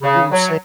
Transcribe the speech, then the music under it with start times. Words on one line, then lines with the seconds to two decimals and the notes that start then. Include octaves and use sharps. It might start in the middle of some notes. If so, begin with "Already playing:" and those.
You know I'm saying?
0.03 C#3
0.31 F#3